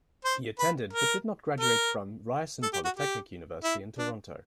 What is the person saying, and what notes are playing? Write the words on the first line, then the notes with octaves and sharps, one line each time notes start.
He attended, but did not graduate from Ryerson Polytechnic University in Toronto.
C5
B4
A#4
A#4
A4
G4
F#4
G4
E4
D4